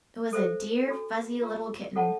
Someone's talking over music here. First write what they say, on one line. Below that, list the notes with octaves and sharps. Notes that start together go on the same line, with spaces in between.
It was a dear fuzzy little kitten.
A4 C5 E5
D4 F#4 A4
F4 A#4 C#5
A4 C#5 F#5 A5